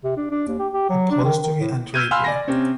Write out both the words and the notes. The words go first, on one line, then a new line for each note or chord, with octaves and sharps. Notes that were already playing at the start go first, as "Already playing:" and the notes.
Upholstery and drapery.
C3
D4
D4
D#2
G4
G4
F#3
D4
D#3
D#3
A2
E6 F6 G6 G#6 D#7
F5 G#5 B5 C6 E6 F6
D5 G#5 A#6
C3 C4 C#4